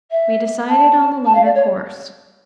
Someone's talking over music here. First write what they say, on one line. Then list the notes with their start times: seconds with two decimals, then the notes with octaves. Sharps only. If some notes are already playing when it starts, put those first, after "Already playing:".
We decided on the latter course.
0.11 E5
0.68 A5
1.25 A5
1.35 F5
1.44 D5
1.54 C#5